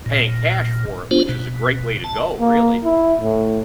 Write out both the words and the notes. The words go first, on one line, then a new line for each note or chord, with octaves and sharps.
paying cash for it, which is a great way to go, really.
A#2
B3 D4 F4 C5
B2
A5
A#3
E4
A2